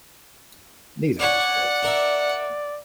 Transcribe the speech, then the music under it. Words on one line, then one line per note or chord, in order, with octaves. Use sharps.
Neither was built.
D4 C#5 D5 F#5 G#5
D4 A#4 E5